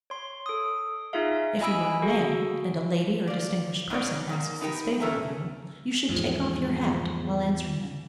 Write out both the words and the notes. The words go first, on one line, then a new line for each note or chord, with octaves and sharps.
If you are a man, and a lady or distinguished person asks this favor of you, you should take off your hat while answering them.
C#5 C6
A4 D#6
D#4 F4 G#4 E5 F5
D#5 G#5 B5 E6 D7
F#4 G#4 A4
F4 D5
G#2 B2 C#4 C#5 D5
G#2 A#3
B3 D4 D#4 G4 A#4 G5
C#4 A4 A#4 E5 A#5
E2 G#2 F3